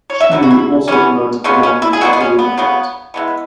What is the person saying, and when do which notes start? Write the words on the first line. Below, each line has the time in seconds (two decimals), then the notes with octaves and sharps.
Schmied also promoted development of the riverfront.
0.10 C#5
0.20 E5
0.31 B2 F#3 B3
0.42 F#4
0.51 E4
0.88 E3 B3 C#4
1.44 C#3 G#3 B3 C#4
1.63 C#4
1.82 E4
1.93 G#4
2.01 B2 G#3 B3 F#4
2.13 B3
2.20 C#4
2.39 B3
2.57 C#3 F#3 B3
3.14 E3 G#3 B3